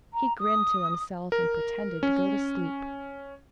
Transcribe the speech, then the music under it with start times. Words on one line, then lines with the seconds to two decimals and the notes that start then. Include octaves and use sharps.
He grinned to himself and pretended to go to sleep.
0.13 A#5
0.39 D#6
1.32 A#4
2.03 C#4